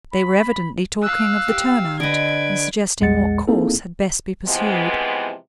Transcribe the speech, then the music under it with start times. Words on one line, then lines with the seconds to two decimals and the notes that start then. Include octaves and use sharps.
They were evidently talking of the turn-out, and suggesting what course had best be pursued.
0.11 B5
1.02 F5 E6 F#6
1.48 G4
2.00 D3 B4 D#5 G#6 D7
3.00 A#1 E2 G#3 F#5 A6 C#7
3.48 A#3 C4 D#4 E4 G#4 A4
4.47 C3 E3 F3 G#3 B3 C4